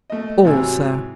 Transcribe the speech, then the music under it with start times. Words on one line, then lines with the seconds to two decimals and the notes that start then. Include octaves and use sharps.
"All, sir."
0.10 A3 D#5
0.45 G#2 C3 E3 F#3 G#5 E6